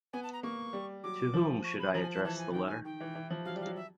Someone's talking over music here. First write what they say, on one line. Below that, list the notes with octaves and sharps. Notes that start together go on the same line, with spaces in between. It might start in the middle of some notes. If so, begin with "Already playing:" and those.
To whom should I address the letter?
B3 G#5
A5
A#5
A#3 C#6
G3
F#3 D6
F3
C#6
B5
F3 A#5
G#5
A5
E3 A5
G#5
D#3 G5
G#5
D#3 G5
E3
E3
F3
F#3 F5
G3 F5
F#3
E5